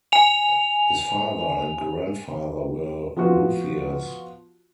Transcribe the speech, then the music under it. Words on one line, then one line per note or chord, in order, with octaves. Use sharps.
His father and grandfather were luthiers.
G#5 F7
F3 B3 F4 F#4